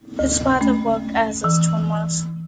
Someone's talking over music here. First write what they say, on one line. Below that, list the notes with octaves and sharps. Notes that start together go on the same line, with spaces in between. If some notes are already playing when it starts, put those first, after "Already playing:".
His father worked as stonemason.
D2
A3 C#4
E3